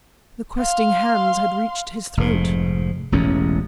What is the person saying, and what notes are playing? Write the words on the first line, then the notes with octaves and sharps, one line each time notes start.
The questing hands had reached his throat!
F5 C6
F1 G#2
E1 A1 E2 C#4